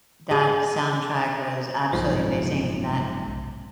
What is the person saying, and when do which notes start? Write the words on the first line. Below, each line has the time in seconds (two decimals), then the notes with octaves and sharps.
that soundtrack was absolutely amazing in that
0.31 G#4
1.93 F#1 B1 G#2 F3